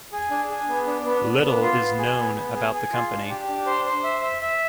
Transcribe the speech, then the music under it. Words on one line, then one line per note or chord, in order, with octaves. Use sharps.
Little is known about the company.
G#4
D4
G#4
B3
D4
B3
D4
B3
F4
B3
G#4
B3
B3
G#4
G#4
F4
D4
G4
D4
C5
C5
E5
E5
E5